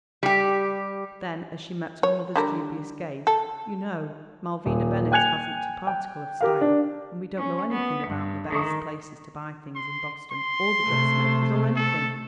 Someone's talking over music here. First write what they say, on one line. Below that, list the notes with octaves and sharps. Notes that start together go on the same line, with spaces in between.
Then, as she met her mother's dubious gaze, "You know Malvina Bennett hasn't a particle of style; and we don't know anything about the best places to buy things in Boston; or the dressmakers, or anything."
G3 G4
C#5
D3 G3 A#4
A4
D#1
G5 G#5 F#6 G#6 C#7 F7
G5
G4 A#4 F5
D4
C#4
B3
G2
D#3
C6
C6
C3 A3
A4